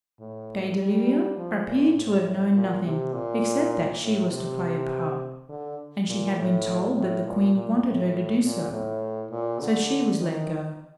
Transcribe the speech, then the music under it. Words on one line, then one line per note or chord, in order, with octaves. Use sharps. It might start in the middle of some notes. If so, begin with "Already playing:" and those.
Gay d'Oliva appeared to have known nothing except that she was to play a part, and she had been told that the Queen wanted her to do so, so she was let go.
A2
G3
F3
A#2
A2
A#2
C3
A#2
A2
C3
D3
A#2
A2
A2
A#2
A#2
A2
A#2
A2
A#2
D3
D#3